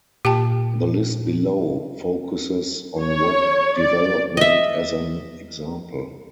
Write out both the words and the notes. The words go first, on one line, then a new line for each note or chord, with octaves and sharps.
The list below focuses on Web development as an example.
A#2 G4 G5 A5
C#5
D5
D#5 E5